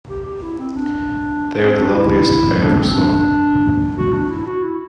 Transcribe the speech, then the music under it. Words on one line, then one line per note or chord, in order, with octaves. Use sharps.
They are the loveliest I ever saw.
G4
G4
E4
C4
D4
C4
D4
E4
D4
C4
D4
D4
F#4
D4
E4
F#4
E4